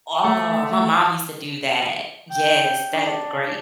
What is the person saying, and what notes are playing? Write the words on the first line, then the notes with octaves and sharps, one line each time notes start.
Oh, my mom used to do that. Yes, that is great.
A3
G5
D4